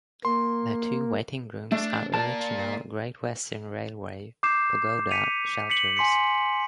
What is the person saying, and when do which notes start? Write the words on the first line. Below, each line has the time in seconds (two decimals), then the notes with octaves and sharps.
The two waiting rooms are original Great Western Railway "pagoda" shelters.
0.25 A#3 C6
1.72 A3 D4
2.14 A#3 D5 A5
4.43 D6 G6 C7 E7
5.11 B6 C#7 D#7 F7
5.70 B6 C#7 F#7
5.97 G#5 C6 B6 C#7